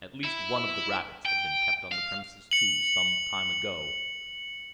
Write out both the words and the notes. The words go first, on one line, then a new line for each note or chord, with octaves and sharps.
At least one of the rabbits had been kept on the premises, too, some time ago.
E4
G5
F5
C#7 F#7